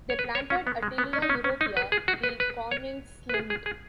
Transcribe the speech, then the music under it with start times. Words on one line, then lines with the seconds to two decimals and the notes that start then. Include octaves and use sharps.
They planted a Tilia europea, the "Koningslinde".
0.10 C#5
0.19 B4
0.35 C#5
0.50 C#4
0.67 B3
0.83 G#3
0.98 B3
1.13 C#4
1.22 D#4
1.30 C#4
1.44 C#4
1.61 D#4
1.77 B4
1.92 G#4
2.08 F#4
2.23 B4
2.40 B4
2.71 C#5
3.29 B4
3.34 G#4
3.50 G#4
3.66 G#4